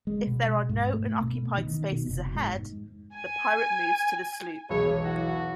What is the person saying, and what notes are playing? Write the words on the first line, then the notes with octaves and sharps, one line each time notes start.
If there are no unoccupied spaces ahead, the pirate moves to the sloop.
G#3
B2
G#2
A3
B2
D#3
B2
F1
G#2
G#5
E1 B1 G#4 B4 C#5
E4 F#4